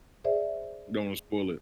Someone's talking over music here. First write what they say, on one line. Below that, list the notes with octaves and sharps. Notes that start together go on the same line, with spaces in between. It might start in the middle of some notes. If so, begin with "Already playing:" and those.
Don't wanna spoil it.
G#4 C5 D5 E5